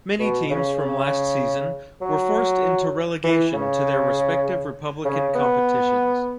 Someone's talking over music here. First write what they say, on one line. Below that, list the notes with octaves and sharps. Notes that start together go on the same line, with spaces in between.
Many teams from last season were forced into relegation to their respective republican competitions.
B2
C#3
C#3
F#3
E3
C#3
C#3
B3